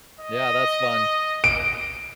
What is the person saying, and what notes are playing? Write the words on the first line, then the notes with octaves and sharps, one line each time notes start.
Yeah, that's fun.
D#5
D7